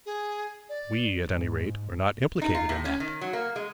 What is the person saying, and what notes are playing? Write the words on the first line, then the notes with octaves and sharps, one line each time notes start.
"We at any rate are not implicated in that."
G#4
D5
G#2
D#4
F4
A2
C#4
D#3
F#3
A#3
G#3